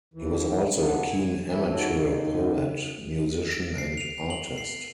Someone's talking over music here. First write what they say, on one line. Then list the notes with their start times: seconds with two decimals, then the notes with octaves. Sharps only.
He was also a keen amateur poet, musician and artist.
0.14 D#2 E3
0.73 F#2 D3 F#3 B3 D4
1.10 G#5
1.52 F2 E3 A3 E4 E5
1.71 G#2 F#4 A4 C#5
1.97 D#2 D#3
3.51 D7
3.78 C7
3.97 F7
4.30 F#7
4.58 C7